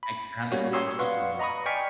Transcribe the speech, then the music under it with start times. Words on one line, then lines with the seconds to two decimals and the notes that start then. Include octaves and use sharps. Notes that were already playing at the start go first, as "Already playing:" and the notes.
thanks for having this conversation with me.
0.03 B5
0.52 G3 A#3 C#4 F#4 C#5
0.73 C#5 C6 C#6 D#6 E6
0.99 B4 D5 F5 F#5 C6 C#6
1.39 D#5 A#5 B5 C#6 D#6
1.66 D5 G5 G#5 C#6 F6 B6